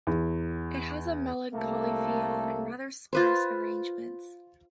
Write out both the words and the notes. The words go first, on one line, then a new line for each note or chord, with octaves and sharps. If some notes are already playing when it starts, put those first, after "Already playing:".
It has a melancholy feel and rather sparse arrangements.
E2
C2 A3 A#3 A4
F4 B4 C5